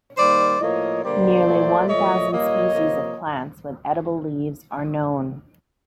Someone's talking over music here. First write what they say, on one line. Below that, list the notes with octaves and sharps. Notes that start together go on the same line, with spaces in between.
Nearly one thousand species of plants with edible leaves are known.
D#3 G3 A#3 C5 D5
A2 F3 A#3 C#5 D#5
D3 G3 A#3 C5 D5
A#2 F#3 A3
A#2 F3 A3 C#5 D#5
A#2 G3 A#3 C#5 D#5
C3 F3 A#3